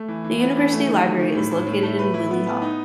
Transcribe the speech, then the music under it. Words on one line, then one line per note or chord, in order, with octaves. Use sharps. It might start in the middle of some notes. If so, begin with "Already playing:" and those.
The University Library is located in Wyllie Hall.
Already playing: A3
E3
E3
B3
E3
A3
D#3
D#3
D#3
A2
A2
A2
A3
B4
E4
B3
B3
D#4